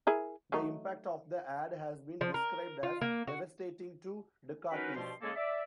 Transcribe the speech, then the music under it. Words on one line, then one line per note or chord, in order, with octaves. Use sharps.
The impact of the ad has been described as devastating to Dukakis.
E4 G#4 A#4
F#3 A3 D#4
F3
A#4
F4
A#3
F#4
F#3 C#4 D#4 A#4 B4
G2 B2 F3 C6
C#3 G#3 A#3 G#4 A4
D5 E5